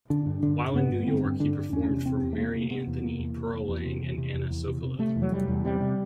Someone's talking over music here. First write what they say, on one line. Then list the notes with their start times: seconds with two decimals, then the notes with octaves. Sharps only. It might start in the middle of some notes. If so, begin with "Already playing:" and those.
While in New York he performed for Mary Anthony, Pearl Lang, and Anna Sokolow.
0.10 D3 D4
0.26 G2
0.43 D3 D4
0.59 G2
0.75 G2 B3
0.91 G2
1.07 D3 C4
1.24 G2
1.40 D3 D4
1.57 G2
1.73 E2 C#4
1.89 C3
2.06 E2 C4
2.22 E2
2.33 A3
2.38 C3 A#3
2.55 C3
2.70 C3 B3
2.87 E2
3.04 C3 A#3
3.19 E2
3.36 C3
3.52 E2
3.69 E2
3.85 C3
4.02 E2
4.18 C3
4.34 E2
4.50 E2
4.66 C3
4.82 C3
4.99 C3 A3
5.16 E2
5.22 F#3
5.32 C3 G3
5.48 E2
5.65 C3 G3
5.80 C3